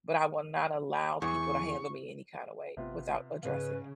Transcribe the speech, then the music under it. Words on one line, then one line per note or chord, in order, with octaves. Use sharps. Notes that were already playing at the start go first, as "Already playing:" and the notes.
but I will not allow people to handle me any kinda way without addressing it.
E2 C#6
G#1 C3 B3 F4
G#2 C#3 B4 D#5 F5